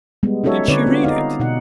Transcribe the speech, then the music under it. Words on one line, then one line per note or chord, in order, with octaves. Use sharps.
"Did she read it?"
G3 G#3 B3
C#4 D#4 F#4 A4 C#5 E5
D3 C4 D#4 B4 C#5 D5
B3 F4
D#4 D5 F5
B2 D#4 F#5